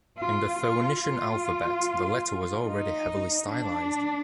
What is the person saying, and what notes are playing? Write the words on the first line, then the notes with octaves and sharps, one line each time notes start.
In the Phoenician alphabet, the letter was already heavily stylized.
F4
F4
F4
D#4
D4